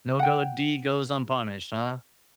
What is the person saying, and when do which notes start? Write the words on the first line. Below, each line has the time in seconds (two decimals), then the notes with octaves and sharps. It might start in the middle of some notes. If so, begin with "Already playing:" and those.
No go deed goes unpunished, huh?
0.19 F#5 G5